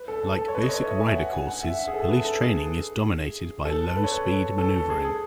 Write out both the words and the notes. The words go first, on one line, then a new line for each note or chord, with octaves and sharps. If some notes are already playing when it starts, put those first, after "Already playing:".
Like basic rider courses, police training is dominated by low-speed maneuvering.
Already playing: B4
A4
A4
A4
C#5
B4
D#5
C#5
E5
G#5
F#5
G#5
F#5
E5
E5
G#4
A4
B4
A4
G#4
A4
B4
C#5
B4
A4
A4
G#4
G#4